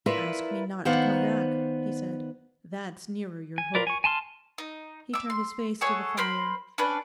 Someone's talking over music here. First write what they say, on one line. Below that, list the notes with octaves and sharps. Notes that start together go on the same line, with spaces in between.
'Ask me not to come back,' he said; 'that's nearer your hope.' He turned his face to the fire.
E4 F4 A#4 B4 D5 E5
D#3 B3 C5 D5 F5 F#5
G#5
F4 A#4 B4 D5
G#5 C#6
G#5 A5 C6 F6
D#4
E5 D6
C6
F#4 G#4 A4 C#5
A#4 C5 B5 C6
C#4 D4 B4